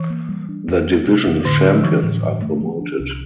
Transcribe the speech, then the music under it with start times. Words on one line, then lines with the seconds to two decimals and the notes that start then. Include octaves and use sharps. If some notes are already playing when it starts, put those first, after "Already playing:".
The division champions are promoted.
Already playing: E3
0.10 A#3
0.29 G3
0.49 D4
0.68 F2
0.87 G3
1.07 C3
1.26 F2
1.45 A2 D3
1.65 D4
1.75 F3
1.84 E3 G3
2.03 A2
2.23 G2
2.42 A3
2.61 F3
2.81 D4
3.00 C2